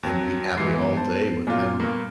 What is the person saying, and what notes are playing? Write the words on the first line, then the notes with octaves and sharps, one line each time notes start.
and be happy all day with them
D#2 F#3 C4
G#2 E3 G4 C7
B3
C5 A5
A#2 F#3 F4
G2 A#2 A#3